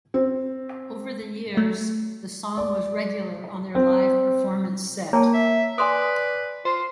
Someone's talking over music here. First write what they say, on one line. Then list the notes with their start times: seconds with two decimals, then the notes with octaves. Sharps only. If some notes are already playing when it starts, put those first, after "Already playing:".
Over the years, the song was regular on their live performance set.
0.14 C4
1.57 A3
2.58 D5
3.75 C4
5.13 A#3 C#5 G5 A5
5.34 E5
5.78 B4 D5 G#5 C6 D#6
6.65 F4 C5